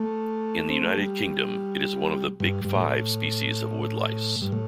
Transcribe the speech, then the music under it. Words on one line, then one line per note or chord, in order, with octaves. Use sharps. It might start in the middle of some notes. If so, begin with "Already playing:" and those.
In the United Kingdom, it is one of the "big five" species of woodlice.
Already playing: A3
C4
A3
G3
G2
G2
A2
G2
A2